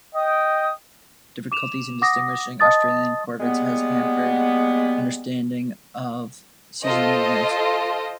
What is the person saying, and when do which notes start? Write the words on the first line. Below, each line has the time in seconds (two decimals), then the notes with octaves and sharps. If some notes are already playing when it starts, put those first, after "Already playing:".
Difficulties in distinguishing Australian corvids has hampered understanding of seasonal movements.
0.15 D#5 G5 D#6
1.52 D6 E7 F7
2.02 F#5 D6 D#6 A#6
2.60 D#5 A5 D#6 A6
3.41 G3 G#3 A#3 B3
6.83 F4 A4 C5 D#5